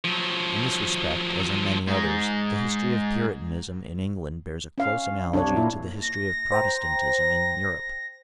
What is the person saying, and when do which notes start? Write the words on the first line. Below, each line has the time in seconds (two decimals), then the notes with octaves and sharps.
In this respect, as in many others, the history of Puritanism in England bears a close analogy to the history of Protestantism in Europe.
0.04 F3 F#3
1.87 G#2 G#3
4.78 C#4 F5
5.33 C2 D4 C#5
5.56 A#2 E4
6.03 A#6
6.52 C5 G5 A#5